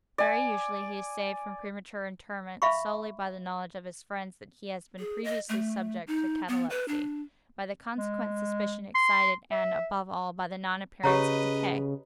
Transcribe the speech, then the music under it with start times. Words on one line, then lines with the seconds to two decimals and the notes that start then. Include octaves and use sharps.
Very usually he is saved from premature interment solely by the knowledge of his friends that he has been previously subject to catalepsy, by the consequent suspicion excited, and, above all, by the non-appearance of decay.
0.18 D5 G#5
2.62 E5 F5 B5 C#6
4.99 G#4
5.24 D#5
5.49 A3
6.07 D#4
6.48 B3
6.70 B4
6.88 D4
7.97 G#3
8.95 C6
9.51 E5
11.04 C#3 G4 B4 C#5 D#5 A#5